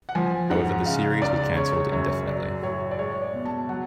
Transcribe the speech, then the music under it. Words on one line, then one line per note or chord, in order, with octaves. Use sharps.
However, the series was canceled indefinitely.
F#5
F3 G#5
G#2 F#5
C#3 F5
C#2 D5
C#3 C#5
F#2 C#5
F#3 D5
A2 C#5
D5
G#3 C#5
D5
B2
A5
F#3 F#5